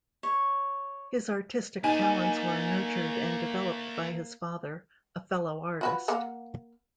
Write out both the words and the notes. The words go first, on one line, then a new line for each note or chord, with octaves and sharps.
His artistic talents were nurtured and developed by his father, a fellow artist.
C#5
A3 A#3 D4 D#4 G#5
F4 F#4 B4
A#3 F5 F#5